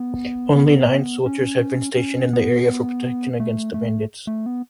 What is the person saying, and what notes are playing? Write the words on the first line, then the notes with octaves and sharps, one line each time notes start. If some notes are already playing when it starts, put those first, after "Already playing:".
Only nine soldiers had been stationed in the area for protection against the bandits.
Already playing: B3
B3
C#4
C#4
B3
A3
A3
A3
B3